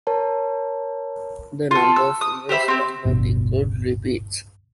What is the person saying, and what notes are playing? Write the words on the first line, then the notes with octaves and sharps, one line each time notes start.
The number of viewers does not include repeats.
A#4 C#5 A5
F4 A4
E6
D#6
G4 C5 E5 B5
C4 G4
D1 G1 B2